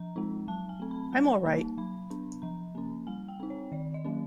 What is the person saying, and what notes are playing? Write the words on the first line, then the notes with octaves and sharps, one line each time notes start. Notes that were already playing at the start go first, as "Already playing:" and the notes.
I'm all right.
Already playing: F3 A#5
G#3 C4 D#4
F#3 A5
G#5
A3 C4
B5
G3 A5
A#3 D#4
F#3 B5
B3 D4
F3 A#5
A#3 C#4
G3 G#5
G5
C4 D#4
C#5
D#3 D5
D#5
F#3 A#3 C#4